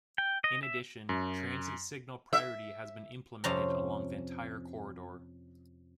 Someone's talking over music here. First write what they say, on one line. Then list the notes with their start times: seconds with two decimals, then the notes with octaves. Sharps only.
In addition, transit signal priority has been implemented along the entire corridor.
0.18 G5
0.44 D#5
0.63 E5
1.09 F#2
2.33 E5
3.44 F2 C3 C#4 C5 A5 A#5